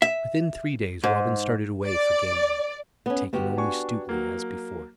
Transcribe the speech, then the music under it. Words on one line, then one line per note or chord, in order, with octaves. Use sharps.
Within three days Robin started away for Gamewell, taking only Stuteley, as before.
E5
G#2
D5
B3 C#4
G1 B3 F#4 G4
D4 G#5 C#6
F#3 A#3